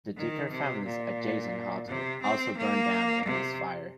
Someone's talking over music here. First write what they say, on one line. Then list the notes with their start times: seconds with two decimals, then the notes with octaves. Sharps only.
The Dicker family's adjacent hotel also burned down in this fire.
0.17 D#3
0.51 C3
0.85 A#2
1.88 C3
2.22 C4
2.57 A#3
3.25 C3